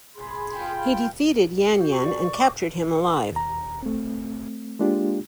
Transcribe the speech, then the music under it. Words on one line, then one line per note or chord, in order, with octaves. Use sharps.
He defeated Yan Yan and captured him alive.
G#4 B5 C6
F4 F5 G5
F#4
C#6
D5
C#6
D6
D#2 A#5
A3 C4
G#3 A#3 D4 F4 G4